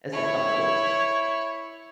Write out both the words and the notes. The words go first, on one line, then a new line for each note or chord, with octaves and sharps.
as a couple.
E4 C#5